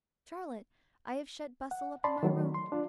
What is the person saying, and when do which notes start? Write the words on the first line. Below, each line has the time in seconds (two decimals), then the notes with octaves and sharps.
'Charlotte, I have shut Bustle up in my room.
1.71 F#5
2.04 D5 A5 B5 C6
2.23 D#3 F#3 A3
2.54 C6
2.72 D4 F4